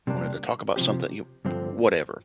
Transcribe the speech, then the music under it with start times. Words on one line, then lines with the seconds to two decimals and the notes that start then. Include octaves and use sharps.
wanted to talk about something, you whatever.
0.07 C3 G3 A#3 D4
0.76 C3 F3 C4 G4
1.45 G2 D3 F3 C4